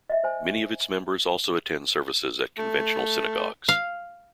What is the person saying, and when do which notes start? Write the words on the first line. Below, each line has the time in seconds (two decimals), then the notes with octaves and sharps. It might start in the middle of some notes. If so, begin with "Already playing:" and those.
Many of its members also attend services at conventional synagogues.
0.10 D#5 E5
0.24 C5 G#5
2.58 A3
3.69 F5